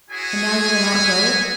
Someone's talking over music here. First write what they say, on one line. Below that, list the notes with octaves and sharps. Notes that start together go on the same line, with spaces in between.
"And now you will not go?"
E4 F#4 G#4 C#5 G#5